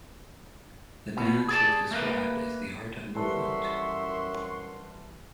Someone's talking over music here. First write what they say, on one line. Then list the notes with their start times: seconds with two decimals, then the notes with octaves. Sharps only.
The dance was described as the art of movement.
1.17 B2
1.48 G#4 D5 A5
1.91 A3 A#3 B4
3.15 F#2 E3 G3 A4 E5 F#5 C6 C#6